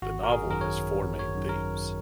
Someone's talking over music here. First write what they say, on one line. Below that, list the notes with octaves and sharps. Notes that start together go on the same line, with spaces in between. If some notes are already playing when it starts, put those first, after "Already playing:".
The novel has four main themes.
G#1 F#4
A#4
G#4
F#2 D#3 A#4
C#5
G#1
C#5
F#2 D#3
A#4